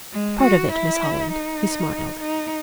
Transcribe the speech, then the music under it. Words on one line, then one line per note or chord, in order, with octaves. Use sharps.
"Part of it, Miss Holland," he smiled.
G#3
F#4
E4
D#4
D#4